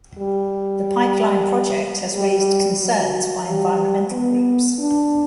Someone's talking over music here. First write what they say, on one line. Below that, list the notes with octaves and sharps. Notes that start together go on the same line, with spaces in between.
The pipeline project has raised concerns by environmental groups.
G3
G3
F#3
G3
B3
D4